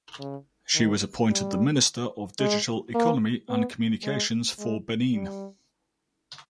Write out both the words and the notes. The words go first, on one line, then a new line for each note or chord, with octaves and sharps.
She was appointed the Minister of Digital Economy and Communications for Benin.
C#3
D#3
G3
G#3
A#3
B3
G#3
G#3
G3